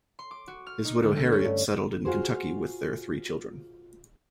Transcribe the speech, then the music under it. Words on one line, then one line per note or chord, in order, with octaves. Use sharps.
His widow Harriet settled in Kentucky with their three children.
C6
D6
F#4
F6
D#4
D2
A3
C#4
G2
F4 F#4 G#4 C5